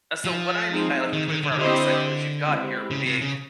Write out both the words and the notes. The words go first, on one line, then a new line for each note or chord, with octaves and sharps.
s so, what I mean by like a twenty-four-hour news cycle is you've got your big
F3
G#3 C4 D#4 G#4
D#3
D#3
D3
D#3
D3 C4 E4 G4 C5 D#5
G#3 C4 E4 G4 B4
C#3
C3
C#3